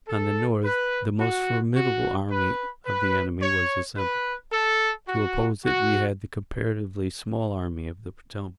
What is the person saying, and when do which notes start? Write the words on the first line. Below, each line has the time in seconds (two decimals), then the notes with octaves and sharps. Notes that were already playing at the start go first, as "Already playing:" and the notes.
On the north, the most formidable army of the enemy was assembled; to oppose it we had the comparatively small Army of the Potomac.
0.08 A4
0.63 B4
1.20 F#4
1.75 F#4
2.31 B4
2.86 B4
3.41 C#5
3.97 B4
4.53 A4
5.08 F#4
5.65 F#4